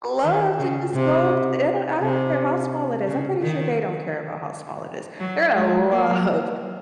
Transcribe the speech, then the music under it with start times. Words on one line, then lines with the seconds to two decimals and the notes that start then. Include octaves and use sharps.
Love to just go t they don't I don't care how small it is. I'm pretty sure they don't care about how small it is. They're gonna love
0.23 D#3
0.59 C#3
0.94 C3
2.01 C3
3.08 C#3
3.42 D#3
5.20 F#3
5.56 G#3
5.91 A#3